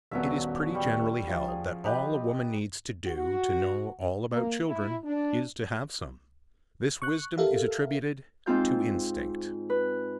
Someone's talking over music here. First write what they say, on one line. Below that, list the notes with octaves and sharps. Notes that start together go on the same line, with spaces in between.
It is pretty generally held that all a woman needs to do to know all about children is to have some. This wisdom is attributed to instinct.
D#1 F#3 B3 C#4 E5
G3 C#6
F3
G#4
D#4 G4 B4
F#4
A#3
E4
D4
C#6 F#6
G4 A4 A#4 E5 F5
G#2 C4 F4 G6
B4